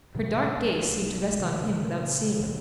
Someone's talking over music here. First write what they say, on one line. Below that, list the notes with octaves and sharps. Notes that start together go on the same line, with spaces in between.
Her dark gaze seemed to rest on him without seeing him.
A2 C3 E3 G3
B1 G3
C3 D#3 F#3
A#2 C#3
A#1 G2